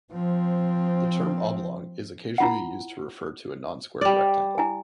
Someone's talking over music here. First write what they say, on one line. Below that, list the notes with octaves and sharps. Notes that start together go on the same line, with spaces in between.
The term oblong is occasionally used to refer to a non-square rectangle.
F3 C4
E4 F4 F#5
G3 D5
E4 G#5